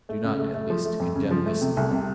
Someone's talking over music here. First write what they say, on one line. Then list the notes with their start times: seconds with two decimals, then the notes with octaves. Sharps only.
Do not, at least, condemn this man!
0.09 A3
0.24 C#3
0.39 A3
0.54 A3
0.70 F3
0.85 A3
1.00 F2
1.15 C#3
1.31 F3
1.46 A3
1.61 C3
1.77 C2
1.91 C3